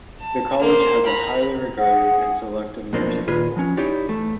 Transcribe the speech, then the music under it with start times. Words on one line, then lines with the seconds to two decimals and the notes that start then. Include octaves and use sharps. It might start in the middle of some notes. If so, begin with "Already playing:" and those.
The college has a highly regarded and selective nursing school.
0.20 A5
0.60 A#3 C5
1.05 A#5 B5
1.77 G#4 F#5
2.93 B1 F2 B2 A#3 D4 C5
3.28 D#2 A#2 F4 G#4 B4
3.57 F3 C#4
3.77 D#4 E4 G4 C#5 D5
4.08 E2 A3